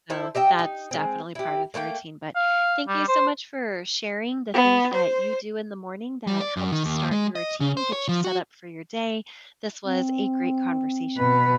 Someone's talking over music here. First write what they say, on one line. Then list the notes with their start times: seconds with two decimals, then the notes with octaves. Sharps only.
so, that's definitely part of the routine, but thank you so much for sharing the things that you do in the morning that help to start your routine, get you set up for your day, this was a great conversation.
0.10 E4 A4 C5 E5
0.35 G4 D#5 E5 G5
0.59 D#4
0.91 G#3 C4
1.35 E4 G4
1.74 A3 A#3 B4 G5
2.36 F5
2.88 G3
3.08 C5
4.54 B3
4.94 C5
6.27 G3
6.41 D5
6.57 F#2
6.72 D#3
6.85 D#2
7.11 G#3
7.35 D#5
7.60 C#3
7.77 C5
7.93 C#5
8.09 F3
8.24 F#4
9.84 C4
11.17 B2 B4